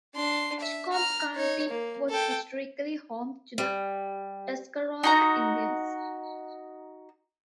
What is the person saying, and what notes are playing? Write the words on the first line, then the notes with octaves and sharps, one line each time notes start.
Edgecombe County was historically home to the Tuscarora Indians.
D4 C6
E5
A#5 F6
D#4 C#5
A#3
A4 G5
G3
D#4 F#4 A#5